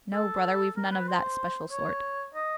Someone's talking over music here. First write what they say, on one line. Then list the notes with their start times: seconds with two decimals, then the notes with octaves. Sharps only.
"No, brother, we've none of that special sort."
0.13 A4
0.77 A#4
0.91 B4
1.08 C5
1.71 C#5
2.34 D#5